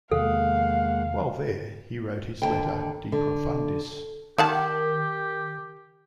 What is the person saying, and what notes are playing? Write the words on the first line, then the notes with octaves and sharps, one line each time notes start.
While there, he wrote his letter "De Profundis".
E2 C3 D#3 G#3 A#3 A4 F5 F#5
D#2 D3 G5
D3
D#3 D#4 G4 F#5 A5